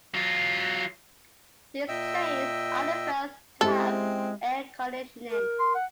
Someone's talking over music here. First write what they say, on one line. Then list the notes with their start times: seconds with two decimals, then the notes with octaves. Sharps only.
These trains are the first to have air conditioning.
0.14 F#3 F4
1.88 A#2 D#5 E5 G5 E6
3.61 G#3 C4 C#4 E4 G4 A4
5.30 A#4
5.59 C6
5.75 F#5